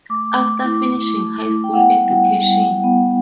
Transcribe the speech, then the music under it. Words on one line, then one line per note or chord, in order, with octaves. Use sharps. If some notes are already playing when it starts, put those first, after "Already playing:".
After finishing high school education.
A3 D6
A3
E4
A3
A3
E4
G5
B3 F#5
G3
G3
G3
B3